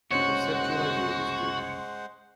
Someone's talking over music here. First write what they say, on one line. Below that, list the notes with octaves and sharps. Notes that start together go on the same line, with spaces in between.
The conceptual idea was good.
F#1 C2 G#3 C#4 F#4 C5 C#5 F#5